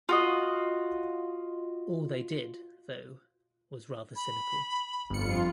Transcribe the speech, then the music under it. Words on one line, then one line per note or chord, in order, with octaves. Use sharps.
All they did, though, was rather cynical.
F4 F#4 D#5
B5
G1 F2 F4 C#7